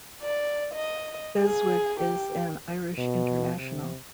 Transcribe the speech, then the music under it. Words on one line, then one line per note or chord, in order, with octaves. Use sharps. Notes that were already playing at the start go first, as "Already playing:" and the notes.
Beswick is an Irish international.
D5
D#5
G#4
G4
B2
C3